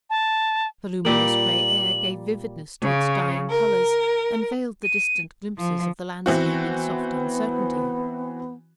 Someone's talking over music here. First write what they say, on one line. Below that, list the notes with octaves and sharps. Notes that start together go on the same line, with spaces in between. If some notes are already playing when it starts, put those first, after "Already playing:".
The luminous grey air gave vividness to its dying colours, and veiled the distant glimpses of the landscape in soft uncertainty.
A5
A#2 G3 A#3 F#7
C#3
A#4
D#7
F3
E3 B3 C4 F#4